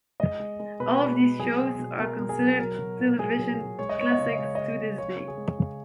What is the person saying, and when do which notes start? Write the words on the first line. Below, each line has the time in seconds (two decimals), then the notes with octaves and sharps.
All of these shows are considered television classics to this day.
0.20 G#3 D#5
0.39 G#3
0.60 G#3
0.80 B2 B4
1.00 B2
1.20 G#3
1.39 F#3 G#4
1.60 B2
1.79 B2
1.99 B2 A#4
2.19 B2
2.29 G#4
2.39 F#3
2.59 F#3 A#4
2.79 F#3
2.99 A#2
3.18 F#3 G#4
3.39 F#3
3.59 F#3
3.79 G#3 C#5
3.89 D#5
3.98 G#3 C#5
4.12 D#5
4.19 C#3 C#5
4.33 D#5
4.39 G#3
4.44 C#5
4.55 C#3 D#5
4.66 C#5
4.79 C#3
4.98 C#3 C#5
5.18 C#3
5.28 G#4
5.37 G#3
5.58 C#3